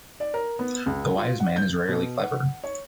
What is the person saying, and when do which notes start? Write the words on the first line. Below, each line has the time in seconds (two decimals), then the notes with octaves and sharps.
The wise man is rarely clever.
0.20 D5
0.34 A#4
0.59 B3
0.86 C#2
1.17 F4
1.40 F#5
1.56 G6
1.88 B2
2.20 F#5
2.64 C#5